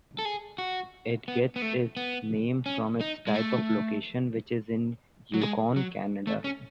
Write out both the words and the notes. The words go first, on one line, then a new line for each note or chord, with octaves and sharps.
It gets its name from its type of location, which is in Yukon, Canada.
A4
G#4
F#4
B3
B3
A3
B3
C#4
D#4
G#3
A3
F#3
G#3
F#3
A3
C#4